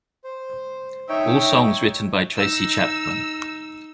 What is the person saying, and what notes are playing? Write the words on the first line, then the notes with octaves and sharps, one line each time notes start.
All songs written by Tracy Chapman.
C5
D#4 C#5 E5 G5
D#4 E6